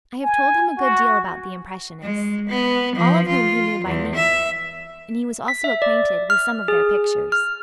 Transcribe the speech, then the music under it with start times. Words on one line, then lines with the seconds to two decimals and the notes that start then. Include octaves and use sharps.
I have told him a good deal about the Impressionists, all of whom he knew by name, and he was also acquainted with some of their pictures.
0.23 G#5
0.78 F#4
2.02 G#3
2.49 B3
2.96 F3
3.28 F4
3.85 E2
4.16 E5
5.48 B6
5.64 E5
5.82 D5
6.30 F6
6.68 G#4
7.32 F6